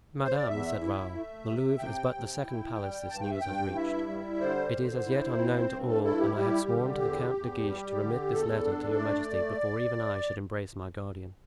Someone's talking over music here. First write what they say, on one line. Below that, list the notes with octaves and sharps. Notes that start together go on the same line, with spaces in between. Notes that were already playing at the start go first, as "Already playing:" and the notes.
"Madame," said Raoul, "the Louvre is but the second palace this news has reached; it is as yet unknown to all, and I had sworn to the Count de Guiche to remit this letter to your majesty before even I should embrace my guardian."
C5
D5
E2 E5
E4
A3
C3
C3 G5
C3
E4
G3
G2 A5
G5
E5
G2 G5
E4 E5
G3
D3 C5
D3
E4
C4
G2
A4
E4 A4
G4
G3 G4
D3
E2
E2
G3
D3
E2 A4
D4
A3 D5